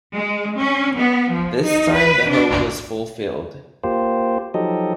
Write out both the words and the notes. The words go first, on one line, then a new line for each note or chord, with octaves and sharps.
This time the hope was fulfilled.
G#3
C#4
B3
F3
D#4
B4
D4
A#3 F4 G4 C5
F3 F#3 D#4 G4 A4 D#5